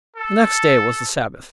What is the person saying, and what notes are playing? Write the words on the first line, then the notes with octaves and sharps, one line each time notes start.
The next day was the Sabbath.
A4